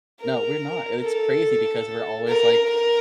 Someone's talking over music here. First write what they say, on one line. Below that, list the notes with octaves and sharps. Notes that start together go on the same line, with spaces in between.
No, we're not, and it's crazy because we're always like,
A#4
A4
A#4
A#4